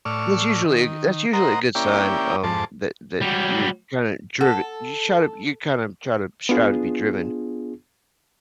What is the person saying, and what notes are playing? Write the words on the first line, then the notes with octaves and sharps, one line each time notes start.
that's usually that's usually a good sign, um, that that you're kinda drive you're try to you're kinda trying to trying to be driven,
A2 D5 C#6 E6 F6
D#3
A#4 C5 D#5 F#5 A#5
A#3 C#4 E4 G4 D5 G5
F2 G#2 A4 C5 A5 D6
F#3 G3
A4 F#5
B3 D4 F4 G#4